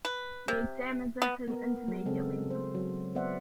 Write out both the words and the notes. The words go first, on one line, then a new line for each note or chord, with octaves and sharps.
The exam is at an intermediate level.
B4
C3
B3
B3 A#4
F#3
C#3 G#3 C4 A4
C5
F#3
B3 C4 C5 D5 E5 F#5